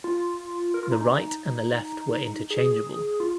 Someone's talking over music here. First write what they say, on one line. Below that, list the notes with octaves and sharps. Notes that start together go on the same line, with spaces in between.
The right and the left were interchangeable.
F4
A#4
F4
D#4
C#4
D#4
G#4
F4